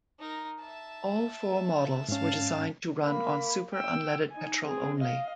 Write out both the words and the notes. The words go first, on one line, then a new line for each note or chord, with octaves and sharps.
All four models were designed to run on super unleaded petrol only.
D#4 A#4
E5 A5
G#2 C#4 F5 A5
A#3 B5
G5 E6
D#4 G#5
C4 G#4
D#5 F5